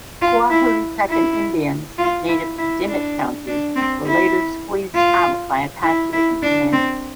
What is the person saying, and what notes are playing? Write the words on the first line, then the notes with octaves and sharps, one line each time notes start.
Coahuiltecan Indians native to Dimmit County were later squeezed out by Apache and Comanche.
F4
E4
E4
F4
E4
E4
D4
D4
C4
E4
F4
E4
E4
D4
C4